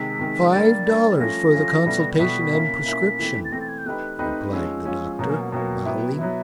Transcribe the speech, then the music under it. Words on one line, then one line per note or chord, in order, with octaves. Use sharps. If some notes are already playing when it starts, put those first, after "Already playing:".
"Five dollars for the consultation and prescription," replied the doctor, bowing.
Already playing: C3 D#3 G#3 B6
C3 D#3 G#3
G3 A#3 D4 A6
G3 A#3 D4
F3 A3 C#4 A#6
F3 A3 C#4
B2 G3 B3 E4 A4
B2 G3 B3 E4 A4 B6
A#3 C#4 E4
A#3 C#4 E4
E3 A3 C4
A6
E3 A3 C4 A#6
A6
G#6
G6
A3 C4 D#4 G4 B4 F#6
A3 C4 D#4 G4 B4
F3 G#3 C#4 E6
F3 G#3 C#4
B2 F#3 A#3 A#5
G#5
F#5
B2 F#3 A#3 G5
F#3 B3 E4
F#3 B3 E4 E5